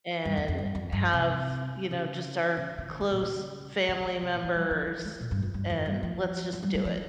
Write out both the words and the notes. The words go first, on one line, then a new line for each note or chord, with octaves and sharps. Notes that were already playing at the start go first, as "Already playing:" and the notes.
"and have, you know, just our close family members, and let's just do it."
G2
F2
F2
G2
F2
G2
C3
C#3
C#3
C#3
D#3
D#3
A#2
C#3
C#3
C#3
C3
A#2
F3
G3
F3
D#3
G#3
A#2
G2
F2
G2
F2
G2
F3
F3
G3
G3
F3